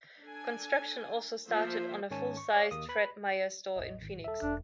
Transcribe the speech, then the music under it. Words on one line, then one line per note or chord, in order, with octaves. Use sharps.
Construction also started on a full sized Fred Meyer store in Phoenix.
D4 A4 G#5
F3 A#3 F4 C5 E5
G#2 D#3 C#4 C#5 G#5 A5
C#6
C#5 D5 F5
D#2 A#3 D#6
B4 B5
A1 E2 D#5
G#1
D#1 A4 E5
E1 D4